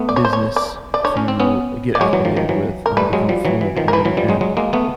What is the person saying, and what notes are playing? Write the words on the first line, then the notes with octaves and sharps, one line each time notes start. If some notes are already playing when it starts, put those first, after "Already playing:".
business to get acclimated with and to become fluent in. And,
Already playing: A3 B3
D5
C#5
C5
C#5
D5
D5
D4 C#5
C#4
C4
B3 C#4
D5
F#3 G#3 C#5
E3 F#3
D#3 F3
D#3 F3
E3 F#3
A#4
G3 A3 B4
F#3 G#3
F3 G3
E3 F#3
E3
D#3 F3
A#4
E3 B4
E3 F#3
F3 G3
F#3 G#3
F#3 G#3
G#3 A#3
A3 B3